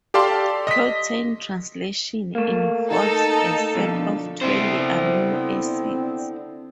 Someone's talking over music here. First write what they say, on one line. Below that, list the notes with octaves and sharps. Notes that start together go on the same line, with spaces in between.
Protein translation involves a set of twenty amino acids.
G4 A4 D5 F5 A5 C6
D#5 B6
A3 A#3
D#4 A4
B2 D3 F3
D3 B3 C4 E4 C5